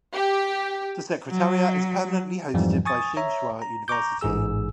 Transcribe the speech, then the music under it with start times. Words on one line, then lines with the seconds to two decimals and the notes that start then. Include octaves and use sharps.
The Secretariat is permanently hosted by Tsinghua University.
0.14 G4
1.30 F#3
2.54 F2 G#2 E3 F3 G3
2.85 G#5 C#6 D#6 A6
3.17 C#5 E5 A#5
3.62 A#5
3.88 A#5 C#6 D6 G6
4.21 A1 G#2 G#4 E6